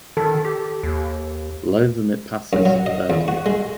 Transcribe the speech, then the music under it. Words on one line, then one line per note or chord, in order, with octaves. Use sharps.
Below them it passes Verden.
D#3 A4
G4
D#2
F#2
F#3
D#5
E2
F#4
G#3